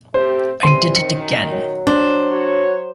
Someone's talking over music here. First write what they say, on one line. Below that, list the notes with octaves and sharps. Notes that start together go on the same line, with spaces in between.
I Did It Again.
A3 C4 G4 C5
E3 G3 C4 C6 D#7
F#2 D#3 C#7
F#3
D4 C5
F#4 C#5